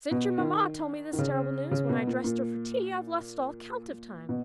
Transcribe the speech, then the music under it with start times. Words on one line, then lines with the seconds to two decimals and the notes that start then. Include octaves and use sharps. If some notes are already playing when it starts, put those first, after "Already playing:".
'Since your mamma told me this terrible news, when I dressed her for tea, I've lost all count of time.
0.11 B2
0.38 D#3
1.13 D#3
1.18 C#3
1.71 C#3
1.89 B2
2.07 A#2
2.24 A#2
4.29 B2